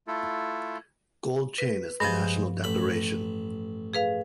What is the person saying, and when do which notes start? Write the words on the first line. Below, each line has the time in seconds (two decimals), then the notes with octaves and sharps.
Gold chain is the national decoration.
0.08 A3 E4 F4 A4
1.58 B4
2.00 G2 F3 G#3 C5 G#5
2.64 A1 B5
3.93 G#4 B4 F5